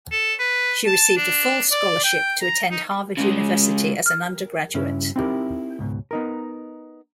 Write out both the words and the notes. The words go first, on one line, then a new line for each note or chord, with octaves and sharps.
She received a full scholarship to attend Harvard University as an undergraduate.
A4
B4
A5
D4
D5
G5
A#5
D#4
C#3 G#3
F6
G2 C#3 C#4 E4
C4 D#4 E4 F#4 G4 A#4
C#2 G#2 B2
B3 D#4 A#4